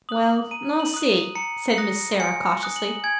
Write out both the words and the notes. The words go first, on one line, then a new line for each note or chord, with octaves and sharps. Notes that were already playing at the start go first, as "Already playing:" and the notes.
"Well, I'll see," said Miss Sarah cautiously.
D#6 F#6 F#7
A#5 D#7
F#7
D#6 F#6
D#7
A#5 C#7
C#7
D#6 F#6 A#6
G#5 C#7
D#6 F#6
F#7
G#5 G#6